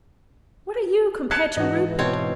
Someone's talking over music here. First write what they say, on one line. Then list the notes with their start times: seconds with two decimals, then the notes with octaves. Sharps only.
What are you compared to Rupert?
1.31 A5 F#6 G#6 C#7
1.57 G#2 E3 D#4 F#4
1.99 B2 C4 C#5